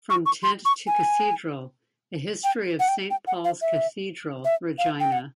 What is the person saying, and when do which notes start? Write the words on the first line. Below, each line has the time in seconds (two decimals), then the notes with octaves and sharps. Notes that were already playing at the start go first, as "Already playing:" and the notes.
"From Tent to Cathedral: A History of Saint Paul's Cathedral, Regina".
0.10 C#6
0.26 C#6
0.43 C6
0.65 C#6
0.87 G#5
2.44 G5
2.80 F#5
2.88 G5
3.11 G5
3.27 F#5
3.45 F5
3.62 E5
4.45 E5
4.78 F5
5.00 G5
5.12 F#5